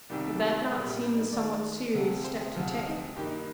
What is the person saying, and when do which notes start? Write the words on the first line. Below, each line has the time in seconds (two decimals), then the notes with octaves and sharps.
"Would that not seem a somewhat serious step to take?"
0.10 C2 C3 D#3 G3 G4
0.71 A#1 A#2 G3 A#3 G#4
0.86 G4
1.02 D4
1.17 D#4
1.32 D#2 D#3 G#3 D5
1.94 D2 C3 F3
2.24 C5
2.40 G#4
2.55 D2 C3 F3 G#3 F4
2.86 D#4
3.16 G2 D#3 A#3 G4
3.26 D#4
3.37 D#4